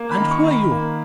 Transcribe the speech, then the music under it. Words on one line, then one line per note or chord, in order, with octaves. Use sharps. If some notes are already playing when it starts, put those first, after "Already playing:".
"And who are you?"
Already playing: A#3
B5
D#3
C#6
D#3
B5
A#3